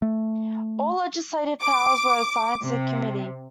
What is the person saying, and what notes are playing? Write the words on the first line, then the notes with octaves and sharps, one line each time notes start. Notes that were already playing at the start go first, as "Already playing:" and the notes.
All legislative powers were assigned to the Committee.
A3
D6
C3